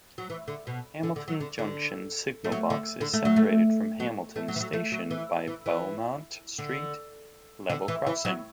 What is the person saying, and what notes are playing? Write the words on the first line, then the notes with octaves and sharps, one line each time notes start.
Hamilton Junction Signal Box is separated from Hamilton station by Beaumont Street level crossing.
F#3
E3
D3
B2
D3
D3
F#3
D3
D3
A3
F#3
D3
D3
A3
F#3
A3
F#3
A3
F#3
E3
F#3
A3
F#3
E3
E3
E3
D3
D3
E3
E3
F#3